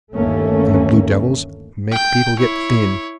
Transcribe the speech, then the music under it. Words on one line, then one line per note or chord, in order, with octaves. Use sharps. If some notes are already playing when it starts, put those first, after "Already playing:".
And the blue devils make people get thin.
G1 D#2 A3 A#3 C#4
G5 G6
E4 C#5